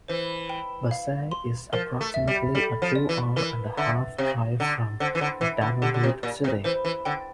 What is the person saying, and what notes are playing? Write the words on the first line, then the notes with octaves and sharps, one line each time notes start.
Basay is approximately a two-hour-and-a-half drive from Dumaguete City.
E3 C5
G5
F5
C6
F3 A#4
A3
E5
G3
G3 A4
F3
D5
E3
E3 A#4
D3 E5
C3 F5
D3 A#5
D3 C5
E3
D3
E3 E5
D3
D3 G4
D3
C3
A#2 D5
C3
E3 C5
E3
D3 G5